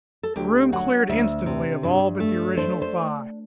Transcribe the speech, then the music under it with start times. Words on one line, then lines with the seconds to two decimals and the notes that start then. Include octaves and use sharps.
The room cleared instantly of all but the original five.
0.23 A4
0.36 D2 G4
0.72 F#3 F#5
1.09 D2 E5
1.46 C3
1.83 G2
2.20 A3
2.57 D4 C5
2.82 C5